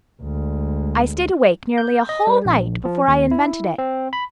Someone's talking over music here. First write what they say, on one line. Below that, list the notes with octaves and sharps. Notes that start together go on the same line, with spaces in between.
I stayed awake nearly a whole night before I invented it.
D2 G#3
G6
D#5
G3
A#1
F3
D#2
E4
C4
B5